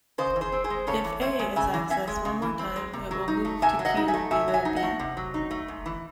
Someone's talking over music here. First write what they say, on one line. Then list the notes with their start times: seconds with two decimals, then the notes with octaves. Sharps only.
If "a" is accessed one more time it will move to Q below "b".
0.18 C#3 C5 D#5
0.36 E3
0.41 G#4 C5
0.52 C4
0.64 G#4 C5
0.70 G#3
0.87 C#3 A4 C#5
1.04 E3
1.21 C4 C#5 E5
1.39 G#3
1.56 C#3 E5 G#5
1.74 E3
1.90 C4 E5 G#5
2.07 G#3
2.25 C#3
2.42 E3
2.59 C4
2.76 G#3
2.93 C3
3.11 F#3
3.28 D#4
3.45 A3
3.62 C3 E5 G#5
3.79 F#3
3.85 D#5 F#5
3.97 D#4
4.08 E5 G#5
4.14 A3
4.31 C3 E5 G#5
4.48 F#3
4.54 E5 G#5
4.65 D#4
4.76 D#5 F#5
4.83 A3
5.00 C3
5.17 F#3
5.34 D#4
5.51 A3
5.68 G#2
5.86 E3